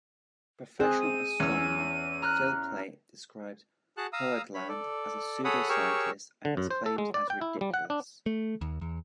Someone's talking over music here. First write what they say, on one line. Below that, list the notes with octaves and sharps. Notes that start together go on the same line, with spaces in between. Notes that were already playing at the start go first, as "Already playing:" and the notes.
Professional astronomer Phil Plait described Hoagland as a pseudoscientist and his claims as ridiculous.
C4 G#4 F#6
D#7
E2 C#4 E6
A#5 F6 F#6
F#4 G#4 F#5 A5 F#6
F5 A#5 D#6 E6
C#5 B5
A4 D5
G#4 A4 C#5 F#5 B5 D#6
G4 G#4 A#4 C#5 C#6 E6
D3
F#2
C5
A4
G#3
D5
G5
E4
G3
F#5
D4
A3
D#2
E2